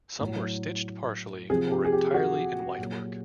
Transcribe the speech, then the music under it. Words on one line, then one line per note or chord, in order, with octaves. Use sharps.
Some were stitched partially or entirely in whitework.
A2 F#3
C3 F3 G#4
G4
G#4
G4
F#4
A#2 F#3